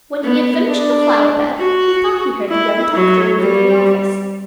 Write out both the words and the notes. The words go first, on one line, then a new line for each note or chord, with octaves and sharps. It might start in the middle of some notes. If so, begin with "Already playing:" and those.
When he had finished the flower bed he thought he heard the young doctor moving in the office.
B3
D4
F#4
E4
F#3
G3